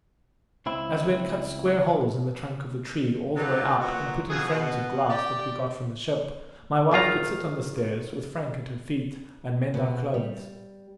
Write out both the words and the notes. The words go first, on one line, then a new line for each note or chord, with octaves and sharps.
As we had cut square holes in the trunk of the tree all the way up, and put in frames of glass that we got from the ship, my wife could sit on the stairs, with Frank at her feet, and mend our clothes.
C#2 C4 E4
D#3 F#3 F4 G4 A4 B4
A#2 F#3 B3 F#4
F2 B2 G#4
B2
G4 D5
G#1 D#3 F4 A#5
B2
G3